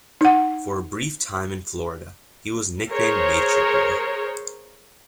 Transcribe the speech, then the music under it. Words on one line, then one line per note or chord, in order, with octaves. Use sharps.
For a brief time in Florida, he was nicknamed Nature Boy.
D#4 F#5
G#4 A#4 C5 C#5